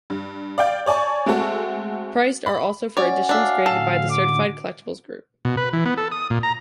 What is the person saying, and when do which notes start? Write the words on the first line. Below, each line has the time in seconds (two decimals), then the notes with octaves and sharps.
Priced are also for editions graded by the Certified Collectibles Group.
0.10 G2
0.58 D5 F5 G5 G6
0.86 C#5 D5 G#5 A5 C#6
1.26 G#3 A3 C4 F#4 A4
2.46 B5
2.97 C#4 F#4 C#5 D5
3.29 D4 E5 F5
3.66 A2 D3 A4
4.10 D6
5.45 B2
5.57 B4
5.73 E3
5.85 B3
5.97 A4
6.12 D#6
6.30 A#2
6.43 A#5